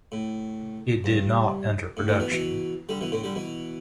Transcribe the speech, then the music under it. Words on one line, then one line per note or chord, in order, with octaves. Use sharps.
It did not enter production.
A2
G2
A2
A2 D3
B2 E3
B2 E3
D3 G3
B2 E3
A2 D3
D3 G3
B2 E3